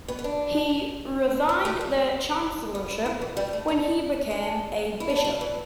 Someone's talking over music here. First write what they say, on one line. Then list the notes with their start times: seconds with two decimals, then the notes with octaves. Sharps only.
He resigned the chancellorship when he became a bishop.
0.08 B3
0.19 B3
0.24 D4
1.49 D4
1.65 A3
1.81 G3
2.75 B3
2.91 E4
3.06 E4
3.22 E3
3.37 G3
3.53 A3
3.68 D4
4.31 D4
5.00 E4
5.10 D4
5.25 D4
5.41 E3